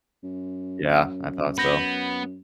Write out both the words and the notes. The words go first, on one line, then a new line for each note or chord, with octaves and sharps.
Yeah. I thought so.
F#2
B3 B5 G6 A#6